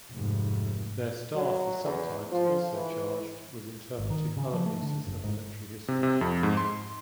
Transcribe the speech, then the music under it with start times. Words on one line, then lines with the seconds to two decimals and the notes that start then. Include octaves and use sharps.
Their staff is sometimes also charged with interpreting other pieces of military history.
0.13 F1 G#2
1.35 F#3
1.84 E2
2.32 F3
2.74 E3
3.98 G#1
4.10 D#3
4.37 C#3
4.53 F3
4.66 A3
4.82 D3
5.07 F#1
5.24 G#2
5.88 C3
6.03 C3
6.21 F2
6.43 G#2
6.57 C6